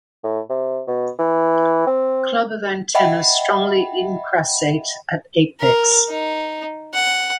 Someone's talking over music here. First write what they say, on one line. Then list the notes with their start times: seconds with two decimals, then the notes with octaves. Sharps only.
Club of antenna strongly incrassate at apex.
0.24 A2
0.50 C3
0.87 B2
1.19 E3
1.87 C4
2.95 D#5 E5 F#5 G5 B5
5.60 A#4
6.09 D#4
6.94 F#5